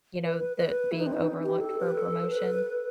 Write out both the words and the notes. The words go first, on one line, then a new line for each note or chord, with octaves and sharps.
you know, the being overlooked for a promotion?
B4
B4
E4
D#4
C4
D#4
G4
A4
B4
A4
C5
B4